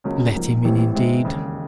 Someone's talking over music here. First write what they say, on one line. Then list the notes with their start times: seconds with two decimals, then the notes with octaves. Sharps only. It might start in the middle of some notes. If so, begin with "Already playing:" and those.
Let him in, indeed!
0.04 C#2 C#3 F#3 A#3 C#4
0.35 A#1 G#2 F3 A#3
0.64 A1 A2 E3 G3 C4
0.94 G#2 E3 G#3 C4 E4
1.25 E1 D#2 C#3